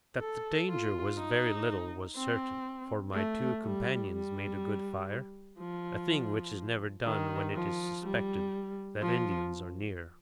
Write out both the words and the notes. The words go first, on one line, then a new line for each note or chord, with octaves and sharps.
That the danger was very little was certain, for my two companions made a good fire--a thing which is never done when it is suspected that Indians are near.
A4
F4
D#4
C4
A3
G3
G3
F3
D#3
F3
G3
F3